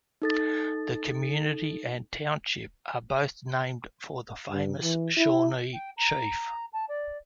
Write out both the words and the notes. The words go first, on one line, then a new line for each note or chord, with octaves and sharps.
The community and township are both named for the famous Shawnee chief.
D#4 A4 A6
G2
E3
E4
G5
A#5
A5
D5